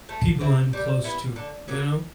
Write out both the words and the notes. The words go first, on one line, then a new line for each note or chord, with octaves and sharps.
people I'm close to, you know?
A3
C4 E4
G3
B3 E4
D3
F#3 A#3